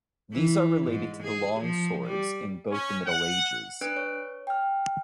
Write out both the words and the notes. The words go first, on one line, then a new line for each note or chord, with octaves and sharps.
These are related to the long swords in both the Middle Ages.
E3
G#2
G#4
F3
G3
C#4
F#5
D4 B4 F#6 D7
C#5
G5 F6